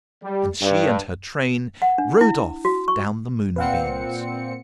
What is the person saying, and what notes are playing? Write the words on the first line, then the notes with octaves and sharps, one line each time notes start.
And she and her train rode off down the moonbeams.
G3
G2
F#5
D4
E4
F#4
C#6
A#2 C4 B4 F5 F#5 C#7